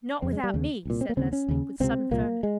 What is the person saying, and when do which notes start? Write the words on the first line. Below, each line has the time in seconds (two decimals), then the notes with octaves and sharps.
"Not without me," said Leslie with sudden firmness.
0.22 F2 C#3 C4
0.33 G#3
0.44 G3
0.54 D#2 C#3
0.85 C2 A#2
1.01 C4
1.09 A#3
1.17 D#2 C#3 C4
1.33 C#4
1.48 D#2 C#3
1.80 C#2 C3 C4
2.11 C2 A#2 A#3
2.43 G#3